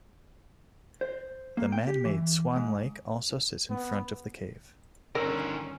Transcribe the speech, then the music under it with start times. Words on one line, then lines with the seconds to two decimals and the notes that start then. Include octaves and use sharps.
The manmade Swan Lake also sits in front of the cave.
1.01 C5
1.57 A#3
1.72 G5
1.87 G4
2.05 E3
2.56 G#2
3.70 B3
5.15 G1 D#3 C#4 D4 A#4 A#5 E6